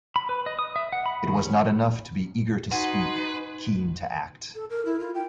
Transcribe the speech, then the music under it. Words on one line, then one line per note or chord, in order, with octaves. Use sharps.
It was not enough to be eager to speak, keen to act.
B5
B4
D#5
D#6
E5
F#5
B5
D#3
C#4
D#4 F#4 B4 F#5 G#5 C6
A4
A#4
E4
F4
G5